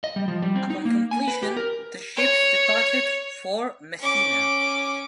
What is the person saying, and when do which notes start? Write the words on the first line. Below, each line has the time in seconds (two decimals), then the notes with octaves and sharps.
Upon completion, the ships departed for Messina.
0.04 D#5
0.16 G3
0.28 F3
0.42 G3
0.55 C4
0.70 D#4
0.85 A#3
1.11 G#5
1.28 B4
1.43 G4
1.57 A#4
2.16 C#5
4.00 C#4 D6